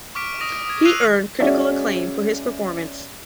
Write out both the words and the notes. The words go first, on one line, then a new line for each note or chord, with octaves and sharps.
He earned critical acclaim for his performance.
C#6 D6 F6 B6 D7
D#6 A#6 D7 D#7
D#6 G#6
E6 F#6 C7 D#7 F7
G#3 C#4 F#4 C#5 D5 E5